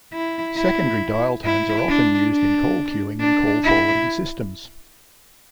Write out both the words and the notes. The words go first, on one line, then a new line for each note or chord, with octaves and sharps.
Secondary dial tones are often used in call queuing and call forwarding systems.
E4
E4
E4
D4
D4
D4
E4